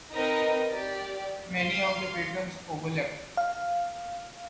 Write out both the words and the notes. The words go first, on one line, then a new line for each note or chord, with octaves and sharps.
Many of the patrons overlapped.
C4 D#4 A#4 B4 D#5
G4 D5
F5 C6
F5